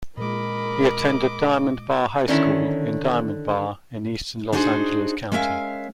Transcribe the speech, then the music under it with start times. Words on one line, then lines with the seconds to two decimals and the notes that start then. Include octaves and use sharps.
He attended Diamond Bar High School in Diamond Bar, in eastern Los Angeles County.
0.17 A#2 G#3 A#4 D#5 B5 D6
2.28 D3 D#3 C#4 E4
4.53 D4 D#4 F#4 G#4 B4 C5
5.32 G#3 C#4 A#4 E5 F5